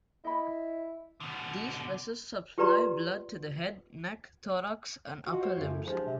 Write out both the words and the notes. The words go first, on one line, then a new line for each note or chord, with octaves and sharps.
These vessels supply blood to the head, neck, thorax and upper limbs.
E4 D#5 B5
B2 D3
F4 G4 B4 D5 A#5 C6
F4 F#4 D#5
G4 C5 C#5
F#2 F3 G4 A#4
A3 E4
F3 G#3 D4 G4
C3